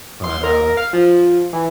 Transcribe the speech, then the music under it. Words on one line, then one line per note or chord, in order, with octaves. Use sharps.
but, uh
C6
A#4
F5
F3
E3